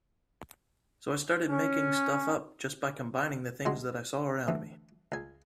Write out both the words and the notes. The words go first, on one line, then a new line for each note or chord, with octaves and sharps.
So I started making stuff up just by combining the things that I saw around me.
C#4
C2 G#3 F#4 C6
D2 E3
C#2 G#5